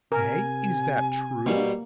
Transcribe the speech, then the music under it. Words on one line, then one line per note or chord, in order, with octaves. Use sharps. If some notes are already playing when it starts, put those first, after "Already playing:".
"Nay, is that true?"
C3 A#4 G#5
B2 G3 A#3